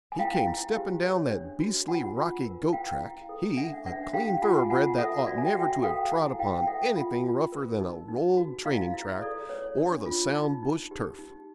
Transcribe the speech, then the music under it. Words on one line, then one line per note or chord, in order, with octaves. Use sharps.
He came stepping down that beastly rocky goat-track, he, a clean thoroughbred that ought never to have trod upon anything rougher than a rolled training track, or the sound bush turf.
G#5
E4 F5 G5
E4
G4
C#5
D4
F#4
F4 F#5 G#5
F4
A#4
E4 F5 G5
E4
A4
D4 E5 F#5
D4 E5 F#5
G4 F5 G5
F4 F#5 G#5
F4 F#5 G#5
A4 E5 F#5
F#4 D5 E5
G#5
G5
F#4 E5 F#5
A4 F5 G5
E4 F#5 G#5
E4 F5 G5
G5
A4 E5 F#5
F4
F4
A#4
D#4
D#4
F#4
E4 D#5 F5
E4
A4 D5
C#5
D4
F4
D#4
D#4
G4
D#4